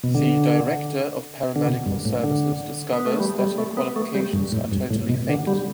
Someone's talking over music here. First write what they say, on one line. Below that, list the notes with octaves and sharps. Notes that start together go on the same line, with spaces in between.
Thee director of paramedical services discovers that her qualifications are totally faked.
B2
D3
D3
B2
G2
A2
D3
B3
A3
G3
G3
A3
B3
A3
G3
G2
A2
G2
A2
B2
D3
G3